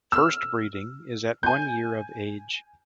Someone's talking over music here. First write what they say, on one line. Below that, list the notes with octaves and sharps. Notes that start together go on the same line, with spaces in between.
First breeding is at one year of age.
E6 F6
G#5 G6